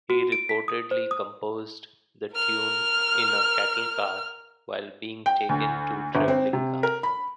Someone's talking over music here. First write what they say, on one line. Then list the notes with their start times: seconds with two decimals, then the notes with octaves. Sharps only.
He reportedly composed the tune in a cattle car while being taken to Treblinka.
0.10 F#4
0.32 D7
0.49 B6
0.68 D#6
0.91 C5
1.11 D#6
2.33 A#4 F6
5.26 G5
5.49 D2
6.15 G1
6.28 C4
6.53 C3
6.83 A#4
7.03 B5